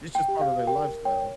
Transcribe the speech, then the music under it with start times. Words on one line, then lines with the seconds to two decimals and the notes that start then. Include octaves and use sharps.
It's just part of their lifestyle.
0.15 G5
0.28 G4
0.41 F5
0.67 A#4 G5
1.05 C#5 G5